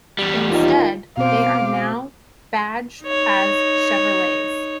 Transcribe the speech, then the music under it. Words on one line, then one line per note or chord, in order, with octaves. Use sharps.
Instead, they are now badged as Chevrolets.
E2 G3
D#2 D#3 F4
B2 C4 C5 F5 D6
D#4 C#5